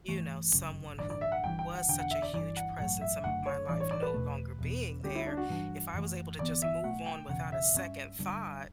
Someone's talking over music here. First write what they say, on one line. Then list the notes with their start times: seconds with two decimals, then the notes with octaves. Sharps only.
you know, someone who was such a huge presence in my life no longer being there. If I was able to just move on without a second thought,
0.08 G2 E3 A3
0.53 G1 F#2 C#3
0.98 A1 G2 D3 D5
1.10 D5
1.21 E5
1.32 F#5
1.44 G1 G2 E3 G5
1.59 G5
1.74 F#5
1.89 E1 E2 D3 G5
1.99 F#5
2.11 E5
2.22 D5
2.34 G1 G2 E3 D5
2.57 F#5
2.78 A1 G2 F#3 A3 F#5
3.01 E5
3.24 F#1 F#2 D3 A3 F#5
3.46 C#5
3.69 A1 G2 E3 D5
3.80 C#5
3.91 D5
4.02 B4
4.14 E2 B2 A3
4.59 E1 E2 B2
5.03 D2 D3 G3 C#4 G4
5.15 E4
5.27 D4
5.37 F#4
5.49 G2 E3 G3 D4
5.94 F#2 E3 A3
6.39 G1 G2 E3 B3 D5
6.62 E5
6.84 B1 B2 A3 F#5
7.06 G5
7.29 E1 E2 C#3 F#5
7.52 E5
7.74 G2 F#3 C#4
8.19 G2 D3 G3